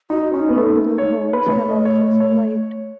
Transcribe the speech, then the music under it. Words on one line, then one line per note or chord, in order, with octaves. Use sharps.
A few other homes have also survived.
D#4 F#4
C#4 D#4
B3
A3 D#4
C#5
B4
B3
A3 C#5
D#5
C#5
C#5